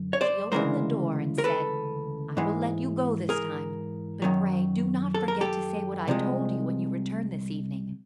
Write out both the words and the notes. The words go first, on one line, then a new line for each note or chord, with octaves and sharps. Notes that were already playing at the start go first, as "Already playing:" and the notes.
She opened the door, and said, "I will let you go this time; but pray do not forget to say what I told you, when you return this evening."
Already playing: F#2 D3
C#5
C5 D5
D2 C#3 E3 G#3 A#4 C5
A#4
A4 B4
G#2 E3 G#3
G#4 A#4
F#2 D#3 F#3
A4
A#4
G4 A4
C2 C3 F3 G#3